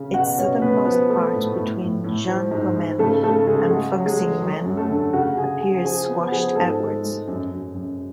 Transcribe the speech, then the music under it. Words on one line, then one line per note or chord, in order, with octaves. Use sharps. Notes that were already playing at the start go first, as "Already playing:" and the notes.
Its southernmost part between Jianguomen and Fuxingmen appears "squashed" outwards.
Already playing: C#3
B2 F#4 F#5
B2 C#4 C#5
B2 B3 B4
F3 B3 B4
A3
A2
A2
A2
A2
F3
G#2
G#2
C#3 A3 A4
C#3 A3 A4
C#3 G#3 G#4
A3 F#4
F#3
G#3 G#4
A3
F#3
F#2
A3 A4
D3
C#3 F#4 F#5
C#3 G#4 G#5
C#3 G#4 G#5
F3 G#4 G#5
B3
F#5
F3 G#4 G#5
G#2 A4 A5
G#3
G#3
F#2
F#2
F#2